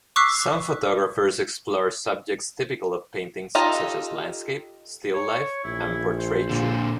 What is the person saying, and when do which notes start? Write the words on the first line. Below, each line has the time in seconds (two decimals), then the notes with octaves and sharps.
Some photographers explore subjects typical of paintings such as landscape, still life, and portraiture.
0.16 C#6 D6 E6 F#6 B6 C7
3.55 D#4 F4 G4 A4 D#5
5.14 C#5
5.64 A#1 E4
6.18 C5
6.49 A#2 D3